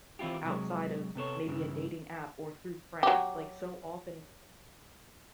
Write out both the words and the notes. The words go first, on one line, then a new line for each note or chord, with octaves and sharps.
m outside of maybe a dating app or through friends, like, so often
E3 C4 E4 F4 G4
C3 F#3 G#3
C3 B3 A4 C#5
G2 C#3 E3
F#3 G4